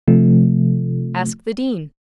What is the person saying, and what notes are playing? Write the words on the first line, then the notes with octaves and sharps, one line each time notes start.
Ask the Dean.
C3 F3 A3